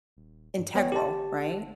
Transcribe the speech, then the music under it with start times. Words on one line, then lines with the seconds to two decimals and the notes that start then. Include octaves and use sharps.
integral, right?
0.17 D#1
0.59 G2
0.75 G1 B3 C#5 G5
0.92 G4 A5